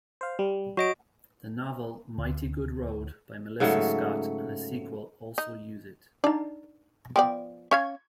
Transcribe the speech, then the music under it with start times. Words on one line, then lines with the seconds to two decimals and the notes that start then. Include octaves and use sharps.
The novel "Mighty Good Road" by Melissa Scott and a sequel also use it.
0.21 C5 F5
0.39 G3
0.77 F#3 F#4 D#5 D7
2.18 D2
3.60 G#2 C#3 F#3 A3
5.38 D#4
6.24 D4 D#4 D5
7.16 F3 B3 D5 G5
7.71 C#4 F5 C#6 G#6